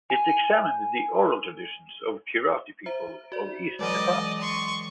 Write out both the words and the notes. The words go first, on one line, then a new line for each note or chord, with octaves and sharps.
It examined the oral traditions of Kirati people of east Nepal.
G#5
C5 E5 A#5
F#4 D5
E3 F#3 G#3 D5 D#5
C6 C#6